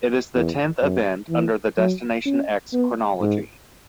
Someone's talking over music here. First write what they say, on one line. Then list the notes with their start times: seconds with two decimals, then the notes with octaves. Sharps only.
It is the tenth event under the Destination X chronology.
0.35 E2
0.82 F#2
1.30 E3
1.77 F#3
2.26 C#4
2.73 B3
3.21 G#2